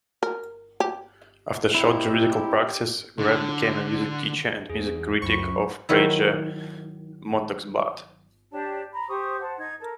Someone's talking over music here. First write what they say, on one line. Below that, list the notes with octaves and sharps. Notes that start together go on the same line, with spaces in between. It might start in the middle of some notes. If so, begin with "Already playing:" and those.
After short juridical praxis, Grab became a music teacher and music-critic of Prager Montagsblatt.
A#4
G4
C4 D#4 E4 G4
D3
E2 G#4
C#2 F#2 C5 B5 C#6
D#3 F#3 E4
D4 G4 C#5 A5
A#5 B5
G4 C5 C#6 D#6
C5 F#5 A5
D#4 G#6
A4 A#4